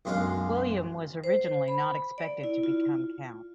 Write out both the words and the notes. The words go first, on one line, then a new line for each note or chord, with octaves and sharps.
William was originally not expected to become count.
B1 F#2 G#3 D4 F5
C5
B5
D5
E4
F4